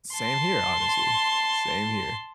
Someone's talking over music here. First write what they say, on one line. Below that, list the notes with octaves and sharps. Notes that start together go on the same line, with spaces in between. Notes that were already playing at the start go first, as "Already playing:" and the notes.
Same here, honestly, same here.
A5 C6